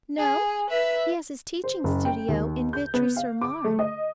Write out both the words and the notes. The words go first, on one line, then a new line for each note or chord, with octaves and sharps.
'No; he has his teaching studio in Vitry-sur-Marne.
G#4
B4 E5
C5
F#1
G5
D#2
G6
B3
F5
D6
A3
D#5